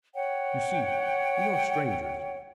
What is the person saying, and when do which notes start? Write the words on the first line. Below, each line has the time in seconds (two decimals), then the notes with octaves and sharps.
"You see, we are strangers."
0.14 C#5 F#5 G5